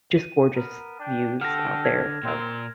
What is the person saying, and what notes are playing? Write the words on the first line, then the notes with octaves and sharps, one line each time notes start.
just gorgeous views out there. So,
D#7
B3 A#4
D4 G5
D3 G4 A4 F#5 F6 A#6
G#6
A#2 C4 A#4